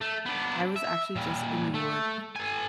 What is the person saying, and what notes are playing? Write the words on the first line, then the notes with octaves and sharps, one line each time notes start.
I was actually just in New York,
A3
B3 D4
E5
A#2 G3
A3
A4 G#5